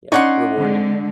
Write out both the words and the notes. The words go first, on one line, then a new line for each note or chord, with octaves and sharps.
yeah, rewarding.
C#4 D#4 C#5 D5 F#5 C6 C#6
D3 G#3 C4